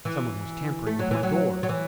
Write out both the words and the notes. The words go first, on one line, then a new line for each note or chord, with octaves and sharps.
Someone was tampering with my door!
E3
A3
F#3
E3
F#3
F#3
E3